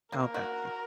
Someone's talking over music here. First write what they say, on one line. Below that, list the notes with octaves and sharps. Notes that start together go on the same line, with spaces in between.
Oh, got you.
A#3 A#4
F#4